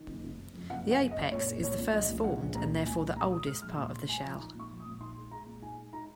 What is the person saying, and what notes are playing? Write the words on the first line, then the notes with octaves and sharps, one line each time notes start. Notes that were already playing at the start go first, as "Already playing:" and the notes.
The apex is the first-formed, and therefore the oldest, part of the shell.
Already playing: D#3
F#1
F#1
F#1
F2
F#1 F#5
F#1 F#5
F#1
D#5
F#1
A#2 C#5
G#3
A#2 C#5
A#2
A#1 D#5
A#2
A#1 F#5
A#1
A#2 A#5
A#2
A#2 G#5
A#1
A#2 A#5
G#3 D#6
G#3 F6
A#1 F6
A#2 C6
G#3
A#2 G#5
F3
D#4 A#5
A#2 C#6
F3
D#6
A#2
D#4 C6
G#3
G#3 A#5
A#2
D#4 G#5
G#3
D#4 A#5